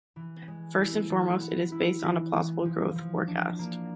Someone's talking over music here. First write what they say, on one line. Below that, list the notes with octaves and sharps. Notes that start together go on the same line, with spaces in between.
First and foremost, it is based on a plausible growth forecast.
E3
G#3
E4
E3
B3
E4
E3
E3
F3
F3
D4
A#3